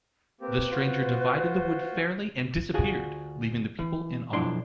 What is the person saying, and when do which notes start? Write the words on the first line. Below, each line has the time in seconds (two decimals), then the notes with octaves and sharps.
The stranger divided the wood fairly and disappeared, leaving the people in awe.
0.41 A#3 C4 G4 B4
0.71 F4 F#4 C5
2.74 D2 F4 F#4 G#4
3.79 E3
4.33 B1 F3 D4 E4 C6